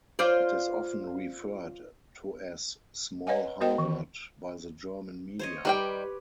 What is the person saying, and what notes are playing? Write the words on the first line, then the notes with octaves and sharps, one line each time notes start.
It is often referred to as "small Harvard" by the German media.
F4 C5 D5
B4 C#5 D#5 F#5 G#5
B3 F#4 A#4 C5 D#5 G5
D#3 E3
C5 C#5 D#5
D#3 G3 G4 B4 G5